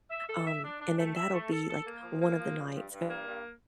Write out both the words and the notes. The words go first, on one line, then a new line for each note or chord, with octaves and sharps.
um, and then that'll be like one of the nights. And
E5
A4
E5
D4
D4
A3
E5
A3
A4
A4
A#3
F3
A#3
F3
G2
G2
G2
A#3
G2